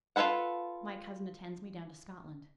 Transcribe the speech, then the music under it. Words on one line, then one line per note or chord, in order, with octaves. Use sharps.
"My cousin attends me down to Scotland."
F4 G#4 A4 B4 F#5